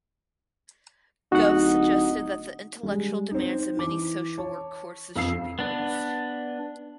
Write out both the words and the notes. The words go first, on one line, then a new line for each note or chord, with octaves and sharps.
Gove suggested that the intellectual demands of many social work courses should be raised.
D1 D#4 F#4 F#5
G3 G#3
C4 D#4
E3 D6
C#5 A5
F2 F3 F5 E6 C7
B3 D4